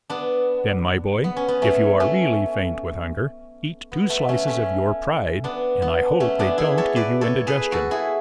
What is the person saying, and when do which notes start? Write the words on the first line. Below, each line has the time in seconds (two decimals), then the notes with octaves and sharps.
"Then, my boy, if you are really faint with hunger, eat two slices of your pride; and I hope they don't give you indigestion."
0.10 B3 D4
1.24 B3
1.37 C#4
1.48 B3
1.62 A3 C#4
2.00 A3 C#4
3.92 B3
4.10 A3
4.29 A3 C#4
4.48 A3 C#4
5.44 B3 D4
5.82 B3
6.20 A3 C#4
6.39 B3 D4
6.58 E4 G#4
6.78 A4 C#5
6.96 B4 D5
7.21 A4 C#5
7.47 G#4 B4
7.72 F#4 A4
7.91 E4 G#4